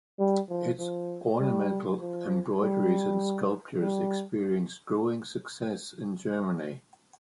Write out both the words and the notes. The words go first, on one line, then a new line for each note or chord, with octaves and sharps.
Its ornamental embroideries and sculptures experienced growing success in Germany.
G3
F3
F3
G3
F3
G3
G3